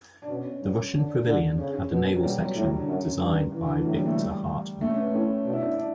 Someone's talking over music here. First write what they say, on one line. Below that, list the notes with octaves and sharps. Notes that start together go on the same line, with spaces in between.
The Russian pavilion had a naval section designed by Viktor Hartmann.
D4
B2 C#4
G2
D3 D4
D3
C#3 C#4
C#4
B2 B3
F#3
B2 G3
F#3
A2 G3
F#3
D3
F#2 C#3
G2
E3
D3
E3
A2 F#3
G3
A3
G3
A3
C#4
B3
A2 C#4
B2 D4
E4
D4
E4
D4